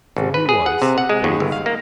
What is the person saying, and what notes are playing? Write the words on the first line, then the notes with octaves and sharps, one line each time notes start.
So he was, faith.
G#1
B4
G#4
F#5
C3
F#5
G#3
D#2
G1
F5
A#3